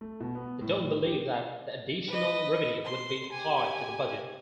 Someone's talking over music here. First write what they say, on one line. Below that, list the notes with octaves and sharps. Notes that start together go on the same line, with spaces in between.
They don't believe that the additional revenue would be applied to the budget.
A3
B2
B3
A2
G4
B4 D#5
C6
G4 G#5